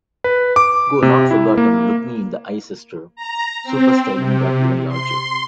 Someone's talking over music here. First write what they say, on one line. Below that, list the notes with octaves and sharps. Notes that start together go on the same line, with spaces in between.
Go, Not Forgotten, Look Me In the Eye Sister, Superstylin got even larger.
B4
D6
C3
E4
A#3
A#5
C4
C3
C6